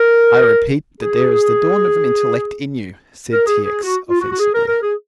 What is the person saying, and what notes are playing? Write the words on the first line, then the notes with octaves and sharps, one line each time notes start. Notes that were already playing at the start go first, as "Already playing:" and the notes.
"I repeat that there is the dawn of an intellect in you," said T. X., offensively.
Already playing: A#4
G#4
A#4
G#4
G#4
F#4
F4
F#4
F#4
G#4
A#4
A#4
G#4